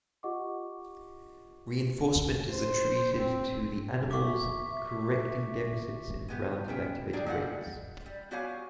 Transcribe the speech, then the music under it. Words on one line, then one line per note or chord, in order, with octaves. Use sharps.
Reinforcement is attributed to the animal’s correcting deficits in relative activity rates.
F4 G4 D#5 F#5 C#6 D6
C5
C4
E5 C#6 D6
G#3 B3 G4
B2 C#4 G5
A#3 D4 G#4 D5 G5
A2 G3 G#3 F5 F#5
G3
B3 F#4 G4 C#5 F5 G#5